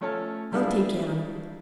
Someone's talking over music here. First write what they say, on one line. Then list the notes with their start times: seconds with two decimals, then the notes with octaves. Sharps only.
I'll take care on him.
0.01 F3 A3 C#4 C#5 A5 F6
0.52 F3 G3 D4 E4 G#4 F5